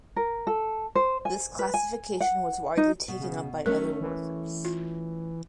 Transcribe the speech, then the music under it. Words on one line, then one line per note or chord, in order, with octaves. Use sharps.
This classification was widely taken up by other workers.
A#4
A4
C5
G#5
B4
G#5
F#5
D#4
B2
C#3
F#3 A3 C#4 A#4
E3
F4